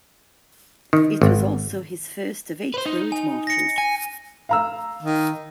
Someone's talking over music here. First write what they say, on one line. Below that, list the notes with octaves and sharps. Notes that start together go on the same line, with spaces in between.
It was also his first of eight roadmarches.
D#3
G#1
B4 C5
D#4
G#5
A#6 C#7
G#5
F5 A#5 E6
D#3